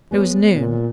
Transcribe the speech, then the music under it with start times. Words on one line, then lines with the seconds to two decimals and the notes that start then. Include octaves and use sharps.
It was noon.
0.11 G#3 B3 C#5
0.55 A#2